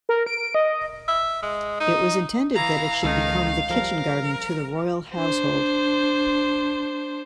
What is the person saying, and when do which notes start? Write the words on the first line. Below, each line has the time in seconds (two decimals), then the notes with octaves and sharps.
It was intended that it should become the kitchen garden to the royal household.
0.09 A#4
0.27 D7
0.55 D#5
1.08 E5
1.42 G#3
1.80 D#4
2.55 E3 F5 A#5
3.03 C#2 D#3 D#4 A4
3.70 F3 G3 A#4
5.15 D4 C5